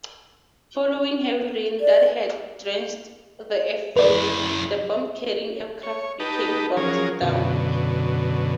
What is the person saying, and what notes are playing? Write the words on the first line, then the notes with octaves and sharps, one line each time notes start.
Following heavy rain that had drenched the airfield, the bomb-carrying aircraft became bogged down.
D5
F#2 E4 B4 D5
C#5
D#4 G4 B4 A5
F3 F#3 C#4 G#4 A#4
F#2 B2 D3